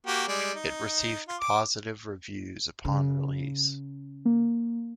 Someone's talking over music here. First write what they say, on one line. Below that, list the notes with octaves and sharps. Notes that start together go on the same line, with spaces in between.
It received positive reviews upon release.
A#3 F#4 G4
G3 G#3 D5
D#4
F4
D6
C#3
A#3